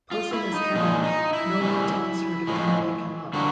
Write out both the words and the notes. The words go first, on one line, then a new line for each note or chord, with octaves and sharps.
Posing as Kevin, Nola tells her to come pick him up.
F4
E4
D#4
A#2 F3 G#3 D#4
D#4
E4
C#3 E3 G3
A2 F3 G#3
D3 G3 A#3 F#4